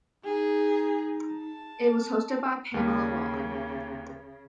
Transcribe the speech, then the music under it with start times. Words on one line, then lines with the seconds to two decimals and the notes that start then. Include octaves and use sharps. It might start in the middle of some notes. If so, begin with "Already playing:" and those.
It was hosted by Pamela Wallin.
0.25 D#4 G#4
1.33 A5
2.74 D#2 C#3 A#3